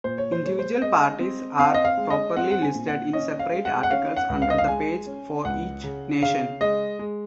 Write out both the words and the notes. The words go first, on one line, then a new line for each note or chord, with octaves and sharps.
Individual parties are properly listed in separate articles under the page for each nation.
A#2 C5
C#5
C5
G#3 C#5
C5
G#3 D#5
C4
C4 F5
D#5
F5
G#3
D#5
C4 F#5
F#5
G#5
A#2
F#5
C#4 D#5
F5
G#3
F#5
F#5
C#4 F5
F#5
C#2
F5
D#5
F5
G#3 G#5
C#4
C#2 F#5
C#3
C#3 F5
G#3 D#5
G#3